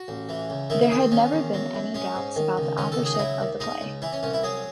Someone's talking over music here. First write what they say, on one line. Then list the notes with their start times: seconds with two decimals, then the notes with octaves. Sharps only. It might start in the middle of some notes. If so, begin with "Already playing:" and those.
There had never been any doubts about the authorship of the play.
Already playing: F#4
0.08 A1
0.29 E3
0.50 C#2
0.70 D#3 E4
0.81 E4
0.91 E2 G#4
1.01 C4
1.11 D#3 C#4
1.33 E2
1.54 F#3
1.75 F#2
1.94 G#3 C#4
2.15 G#2
2.36 D#3
2.57 C#2
2.78 D#3 C#4
2.92 A4
2.98 C#2
3.05 G#4
3.14 D#4
3.19 F#3 E4
3.41 D#2
3.60 G#3 D#4
3.81 C#2
4.02 E3 E4
4.13 C#4
4.23 C2 C#4
4.33 E4
4.43 F#3 G#4